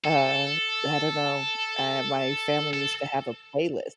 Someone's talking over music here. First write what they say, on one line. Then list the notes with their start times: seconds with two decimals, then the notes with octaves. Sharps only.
uh, I don't know, uh, my family used to have a playlist.
0.04 A4
2.73 A4